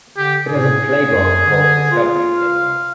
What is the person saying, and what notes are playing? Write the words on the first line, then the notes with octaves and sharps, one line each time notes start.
It has a playground called Discovery Playground.
D3 G4
A2 G#4
F#2
D3
F4
F5